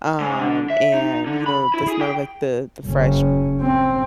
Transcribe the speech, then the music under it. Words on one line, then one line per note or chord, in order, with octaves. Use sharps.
Um, and, you know, the smell of, like, the the fresh
G#2
D3
E5
D#4
D3
B5
E4
G#4
G5
F#1 C#4
C4